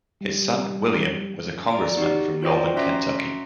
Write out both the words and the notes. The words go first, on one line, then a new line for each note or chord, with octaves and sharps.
His son William was a congressman from Northern Kentucky.
G3
D5 A#5 D7
B3 D#4 F#4 G4
F4 F#4 C5 D5 D#5 G5
C#4 F#4 E5 A#5 C6 A#6